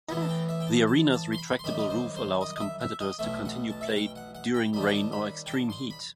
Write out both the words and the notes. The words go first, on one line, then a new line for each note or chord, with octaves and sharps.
The arena's retractable roof allows competitors to continue play during rain or extreme heat.
A2 E3 B3 F#5
A5
G5
E5
G5
A5
A5
A5
C6
B5
C6
F#2 D#3 G3 B5
D#5
C5
C5
D#5
D#5
E5
E5
D#5
B1 B2 A3 E5
F#5
A5
E5
F#5
G5
F#5
F#5
G5
D#2 D#3 G3 A5 B5
G5
A5
B5
G5
A5
C6
B5